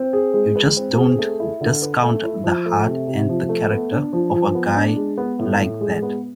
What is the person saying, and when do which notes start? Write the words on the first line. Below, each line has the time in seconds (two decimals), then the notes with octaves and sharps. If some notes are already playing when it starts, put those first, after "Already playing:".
You just don't discount the heart and the character of a guy like that.
Already playing: C4
0.13 G#4
0.34 G#3
0.56 B4
0.77 C4
0.97 G#4
1.19 A3
1.40 E4
1.61 D3
1.82 B4
2.03 A3
2.23 E4
2.44 F3
2.66 A3
2.86 C3
3.07 C3
3.29 F3
3.49 A3
3.70 B3
3.92 D4
4.13 F3
4.34 F3
4.55 B3
4.76 D4
4.97 G#3
5.18 B3
5.39 A2
5.60 A2
5.81 G#3
6.02 B3